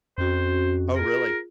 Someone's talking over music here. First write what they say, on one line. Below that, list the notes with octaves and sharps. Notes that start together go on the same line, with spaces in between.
Oh, really?
F2 C#4 F#4 C5
F4 G#4 A#4